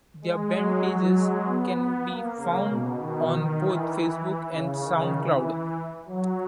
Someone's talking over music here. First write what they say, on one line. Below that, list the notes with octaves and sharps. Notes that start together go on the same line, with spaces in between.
Their band pages can be found on both Facebook and SoundCloud.
G#3
F#3
G#3
B3
B3
A#3
C#3
B2
D#3
E3
C#3
D#3
E3
F#3